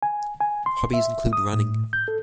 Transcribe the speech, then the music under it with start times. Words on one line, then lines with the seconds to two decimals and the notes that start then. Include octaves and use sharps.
Hobbies include running.
0.03 G#5
0.40 G#5
0.66 C6
0.94 E5
1.33 D#6
1.53 A2
1.93 G6
2.08 A4